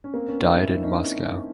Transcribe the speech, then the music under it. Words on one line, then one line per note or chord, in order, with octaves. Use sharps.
Died in Moscow.
C#4
A#3 C4
B3 C#4
C4 D4
E4
D#4
D4
C#4 D#4